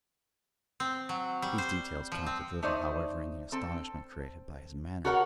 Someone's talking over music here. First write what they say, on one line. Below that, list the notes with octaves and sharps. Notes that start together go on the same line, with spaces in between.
These details counted little, however, in the astonishment created by his manner.
C4
F#3
G3
C5
F3
C4
A3 D#4 C5 D5
C4 A4
F#4 A4 A#4 C#5 F#5